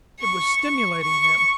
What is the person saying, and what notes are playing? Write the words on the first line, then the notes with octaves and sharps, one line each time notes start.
It was STIMULATING him!
C#6
C#6
C#6